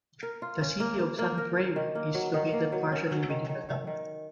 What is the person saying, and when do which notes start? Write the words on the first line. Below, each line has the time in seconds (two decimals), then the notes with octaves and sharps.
The City of Sun Prairie is located partially within the town.
0.23 A#4
0.42 F4
0.61 C#4
0.80 A#3
0.99 A#3
1.19 A#3
1.38 A#4
1.57 C#4
1.76 D#3
1.95 A#3
2.14 F#3
2.34 D#3
2.53 A#3
2.72 F#3
2.92 C#4
3.11 F#3
3.30 D#3
3.49 D#3
3.69 D#3
3.87 D#3